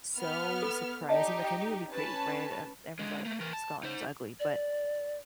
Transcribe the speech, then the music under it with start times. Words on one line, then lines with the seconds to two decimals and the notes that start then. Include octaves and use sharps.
so surprising, like, I knew it'd be pretty, right? I n never thought Scotland was ugly, but
0.17 B3 F6
0.62 A4
1.09 D#4 G4 D5 D#5 A5
1.44 G5
1.90 C#4 B4 A5
2.99 D3 G#3
3.25 A3 A#3
3.40 E3 A#4
3.53 A5
3.83 D#4 C5
4.40 D5